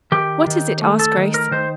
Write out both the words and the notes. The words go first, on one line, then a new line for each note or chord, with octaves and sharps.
"What is it?" asked Grace.
D#3 G4
D#3
A3
A4
D#3
A#4
D#3 C5